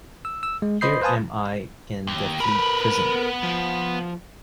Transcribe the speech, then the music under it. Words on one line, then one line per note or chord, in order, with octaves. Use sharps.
Here am I in the Fleet Prison.
E6
E6
G#3
C5 D#5 B5 D#6 G6 C7
B4 C5 F5 G#5 A5 D#6
D#2
B3 A#4 B4 B5
F3